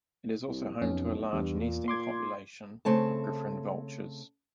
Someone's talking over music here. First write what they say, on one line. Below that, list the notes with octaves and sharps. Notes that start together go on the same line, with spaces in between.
It is also home to a large nesting population of Griffon vultures.
C2
B1 F2 C#4
E2 G2
A#2
C6 D6 G#6
C#3 A3 C4 C#5 A5